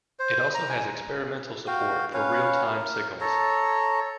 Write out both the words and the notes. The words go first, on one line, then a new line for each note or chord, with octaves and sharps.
It also has experimental support for real-time signals.
C5
A#5
G#5
F#4 F5 G5
C#4 B4 C#5 F5
A#4
A4 C#5 A#5